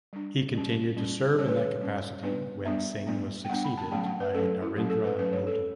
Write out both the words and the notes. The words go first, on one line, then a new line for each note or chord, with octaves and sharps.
He continued to serve in that capacity when Singh was succeeded by Narendra Modi.
G3 D4
G3 C#4
G3 C#4
G3 C#4 C#5
B4
C#5
G3 C#4
G3 B3 D4 B4
G3 B3 D4 E5
G3 B3 D4
G5
G3 B3 D4 F#5
B5
A5
F#3 A3 C#4 G5
F#5
B4
F#3 A3 C#4 A4
E4
F#3 A3 C#4 G4
A4
B4
F#3 A3 C#4 B4
C#5
A4